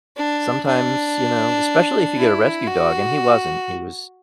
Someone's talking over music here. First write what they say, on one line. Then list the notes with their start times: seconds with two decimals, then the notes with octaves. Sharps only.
sometimes, you know especially if you get a rescue dog, and he wasn't. He was
0.16 D4
0.67 D4
2.18 E4
2.67 F#4